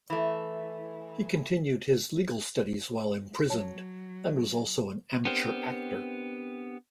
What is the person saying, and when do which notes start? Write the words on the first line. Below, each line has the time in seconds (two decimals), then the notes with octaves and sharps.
He continued his legal studies while imprisoned, and was also an amateur actor.
0.10 E3 A3
3.50 F#3 C#5 A5
5.25 B3 C4 D4 G4 A#4 C5